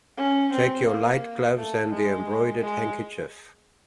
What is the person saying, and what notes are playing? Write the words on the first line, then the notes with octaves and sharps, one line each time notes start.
Take your light gloves and the embroidered handkerchief.
C#4
C4
A#3
A3
G#3
G#3